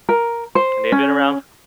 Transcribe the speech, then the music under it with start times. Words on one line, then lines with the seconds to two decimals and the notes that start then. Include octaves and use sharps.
And they've been around
0.09 A#4
0.55 C5
0.92 C#4